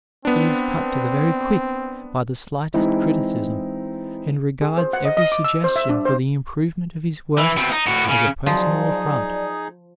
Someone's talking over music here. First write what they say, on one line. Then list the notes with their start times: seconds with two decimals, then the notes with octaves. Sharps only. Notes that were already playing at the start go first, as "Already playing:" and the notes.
He is cut to the very quick by the slightest criticism, and regards every suggestion for the improvement of his work as a personal affront.
0.25 B3 C4 D4
2.74 E3 G#3 C4 D#4 E4
4.62 G#4
4.78 C5
4.93 F#5
5.05 D#5
5.17 D#5
5.32 D6
5.44 E6
5.64 C5
5.76 E5
5.89 D4
6.05 C5
7.38 E3
7.57 B2 C4
7.71 D#4
7.87 A2 F#4
8.09 C#3
8.46 F3 F#3 D#4 G#4 D5 A5